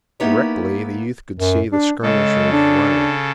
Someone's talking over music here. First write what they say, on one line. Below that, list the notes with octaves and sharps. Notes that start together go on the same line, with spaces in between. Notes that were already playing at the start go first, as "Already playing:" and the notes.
Directly the youth could see the skirmishers running.
A#3 B3 D#4 E4 G4 C#5
F#2
D4
C#3 G#3 A4
D4